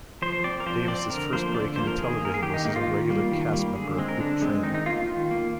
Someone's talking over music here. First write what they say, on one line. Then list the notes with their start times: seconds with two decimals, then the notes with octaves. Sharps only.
Davis's first break into television was as a regular cast member of "Big Train".
0.22 F3 C5
0.32 C5
0.44 C4 D5
0.60 A#4
0.66 F3 C5
0.88 C4 D5
1.10 D3 A#4
1.32 F3 A#3 C5
1.54 D3 D5
1.76 F3 A#3 C5
1.87 A#4
1.98 D#3 G#4
2.21 A#3 A#4
2.34 G#4
2.43 D#3 G4
2.54 D#4
2.65 A#3 D#4
2.76 F4
2.88 D#3
3.09 G3 A#3
3.32 D#3
3.53 G3 A#3
3.75 D3 G#4
3.98 G#3 C4
4.08 A#4
4.20 D3 D4
4.42 G#3 C4
4.64 D#3 D#4
4.74 D#4
4.86 A#3 F4
4.97 F4
5.08 D#3
5.31 A#3